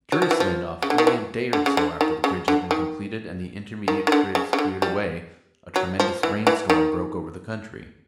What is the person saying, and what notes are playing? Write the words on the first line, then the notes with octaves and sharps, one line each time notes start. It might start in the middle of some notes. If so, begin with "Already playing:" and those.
Curiously enough, only a day or so after the bridge had been completed and the intermediate cribs cleared away, a tremendous rain-storm broke over the country.
F#3
F3
E3
F3
C#3
D3
D#3
E3
D3
C#3
D3
D#3
C#3
D3
D#3
D#3
D#3
D3
C#3
C#3
D3
G3
F#3
F3
E3
E3
D#3